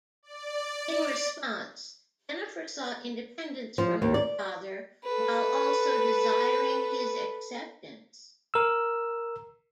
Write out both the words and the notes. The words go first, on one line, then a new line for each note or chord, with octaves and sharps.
In response, Jennifer sought independence from her father, while also desiring his acceptance.
D5
F3
D#2
D5
A4 B4
A#4 E6